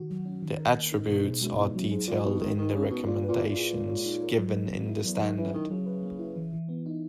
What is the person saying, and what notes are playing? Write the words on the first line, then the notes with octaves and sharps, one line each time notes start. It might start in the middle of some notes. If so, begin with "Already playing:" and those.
The attributes are detailed in the recommendations given in the standard.
Already playing: D#3 F#4
F#3
C#4
D#3
A#4
A#3
D#4
B2 D#3
G#2 B2
F#2 G#3
E2 B3
F#2 F#3
G#2 G#4
A#2 A#3
B2 D#4
D#3 G#3
D#3 A#4
C#3 C#4
B2 F#4
A#2 A#3
B4
A#2
E4
A#2
G#4
G#3
C#5
D#4
A#4
F#3
A#4
A#3
E4
E2 F#3
D#3 F#3
E3 C#4
D#3 E4
C#3 F#3
B4
A#3
E4
E3
E3
B3
D#4